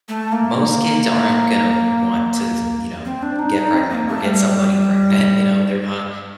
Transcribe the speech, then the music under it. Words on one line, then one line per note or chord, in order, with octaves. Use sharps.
most kids aren't gonna want to, you know, get pregnant or get somebody pregnant. You know? They're not
A3
A#3
C4
D4
D#4
D#4
C4
A#3
A3
G3